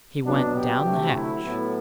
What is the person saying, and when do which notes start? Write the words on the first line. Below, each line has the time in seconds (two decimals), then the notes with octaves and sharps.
He went down the hatch.
0.25 B2 F#3 B3 D4
0.55 G4
0.84 D2 C3 F#3 A3
1.14 E4
1.43 A2 F#3 B3